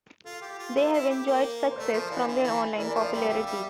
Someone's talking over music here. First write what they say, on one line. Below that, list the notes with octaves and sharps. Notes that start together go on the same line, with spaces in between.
They have enjoyed success from their online popularity.
F4 A4
G4
F4
E4 A4 C5
E4
G4
A#3
C5
A3 A#4 D5
F3 C5 E5
E3 D5 F5
D3
E3
E5
E3 A#4 D5
A#4 D5
F3
D5 F5
G3 E5 G5
G3 E5 G5
G3